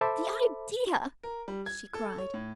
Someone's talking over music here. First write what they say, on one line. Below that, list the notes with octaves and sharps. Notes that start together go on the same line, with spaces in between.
"The idea!" she cried.
A4 C5 E5 A5 B5 D6
A#4
G3
G#6
A4
C#5
A2